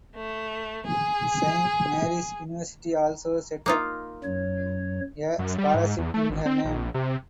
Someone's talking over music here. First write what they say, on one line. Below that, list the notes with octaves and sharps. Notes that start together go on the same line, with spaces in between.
Saint Mary's University also set up a scholarship in her name.
A3
G#4
A#3 D#4 F4
F#2 F#3 C#5
F#2
G3
G#2
E2
A3
G#1
C4
A#1
C3